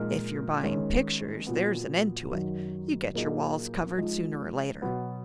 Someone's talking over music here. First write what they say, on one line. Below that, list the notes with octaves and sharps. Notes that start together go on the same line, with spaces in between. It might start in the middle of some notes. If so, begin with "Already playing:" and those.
If you're buying pictures, there's an end to it--you get your walls covered sooner or later.
Already playing: A#2 F3 G#3 D#4 A#4
D#3 G#3 C#4
A#2 F#3 B3
F#2 D#3 F#3
A#2 F#3 A#3 D#4 G#4
F3 G#3 D#4
B2 F#3 B3